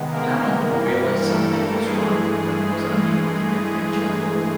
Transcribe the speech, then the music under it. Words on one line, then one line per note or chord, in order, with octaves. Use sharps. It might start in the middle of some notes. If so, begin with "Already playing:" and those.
Hammond realized something was wrong when he was unable to contact Chappelle.
Already playing: C3 D#3 G#3 B3
A#3 A#4
G2 E3 G3 A#3
A3 A4
G2 E3 G#3 A3 G#4